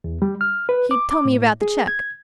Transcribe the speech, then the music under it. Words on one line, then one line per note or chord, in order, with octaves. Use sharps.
He told me about the cheque.
E2
G3
F6
B4
D6
D6
A2
G#4
G#6